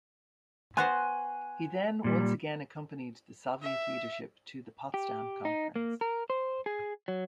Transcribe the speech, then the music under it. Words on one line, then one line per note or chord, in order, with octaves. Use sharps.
He then once again accompanied the Soviet leadership to the Potsdam Conference.
B3 F#4 C5 G#5 C6 F#6
A#2 G3
E5
G4
D#4
A#3
A#4
C5
G#4
F#3